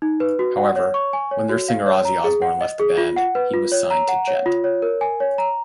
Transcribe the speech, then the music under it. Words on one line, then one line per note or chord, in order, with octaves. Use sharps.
However, when their singer Ozzy Osbourne left the band, he was signed to Jet.
D#4
B4
F#4
F#5
C#5
C#6
G#5
C#5
F#4
F5
C#5
A#5
G#4
F#5
D#5
G#4
F4
F#5
B4
F4
C#5
A#5
F#5
C#5
F4
C#5
A#4
G#5
C#5
A#5